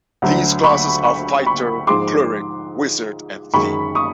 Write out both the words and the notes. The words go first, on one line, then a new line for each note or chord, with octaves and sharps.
These classes are fighter, cleric, wizard and thief.
D2 D3 F#3
B5 C#6
B5 C#6
B5 C#6
G#2 F3 G#3 C6 D6
F#2 D#3 G#3 B5 C#6
C#6 D#6